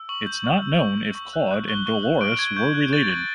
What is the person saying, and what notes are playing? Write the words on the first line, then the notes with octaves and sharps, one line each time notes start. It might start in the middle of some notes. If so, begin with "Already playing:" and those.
It's not known if Claude and Dolores were related.
Already playing: E6
C#6 F#7
G6
C#6
E6
C#6
G6
C#6
F#6
F#6
C#6 G7
C#6 G7
F#7
F#6
F#6 D7
C#6 G#6
C#6 G6
F#6
F#6 A6
C#6